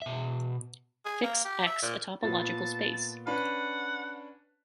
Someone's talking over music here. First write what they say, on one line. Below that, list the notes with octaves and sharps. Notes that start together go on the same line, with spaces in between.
Fix "X" a topological space.
B2 E5
G#4
A#3
G4
E5
A#2
A#2 B3 A5
C#4 D4 B4 F#5